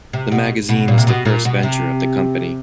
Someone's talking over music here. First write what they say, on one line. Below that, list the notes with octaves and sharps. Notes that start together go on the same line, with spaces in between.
The magazine is the first venture of the company.
C3
B2
B2
A#2
C3
B2
A#2
B2
C3